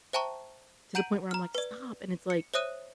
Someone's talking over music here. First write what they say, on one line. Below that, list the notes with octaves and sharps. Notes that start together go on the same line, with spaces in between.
to the point where I'm, like, "Stop." And it's, like,
C5 E5 G5 A5 A#5 C#6
F#5 A#5 G6 D7 D#7 F#7
A#5 F6
B4 D5
C#7
C5 C#5 E5 D#6 F#6 D#7